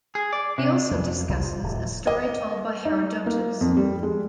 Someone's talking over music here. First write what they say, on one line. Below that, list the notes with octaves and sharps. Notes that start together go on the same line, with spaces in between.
He also discusses a story told by Herodotus.
G#4
D5
C3
F2
C2
F3
D1
D#5
D#4
A#3
F2
G3
G#3